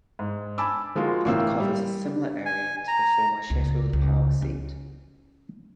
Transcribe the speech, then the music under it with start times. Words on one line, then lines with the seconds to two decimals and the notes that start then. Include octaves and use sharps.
It covers a similar area to the former Sheffield Park seat.
0.19 G#2
0.58 G#5 A5 B5 D6 E6
0.95 F3 G#3 A#3 F4 F#4
1.25 A1 A2 A#3 F5 E6
1.60 G3
2.45 G#5
2.88 A#5
3.50 C#2
3.93 C#2
4.42 C#4